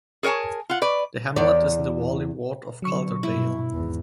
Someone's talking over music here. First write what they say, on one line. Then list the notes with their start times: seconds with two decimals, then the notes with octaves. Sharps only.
The hamlet is in the Warley ward of Calderdale.
0.23 G#4 A#4 C#5 G#5 A5
0.70 F4 F#5
0.82 B4 D5
1.36 E2 D5
2.82 D3 F#3 C#6
3.23 G2 B2 E4
3.70 G#1 E2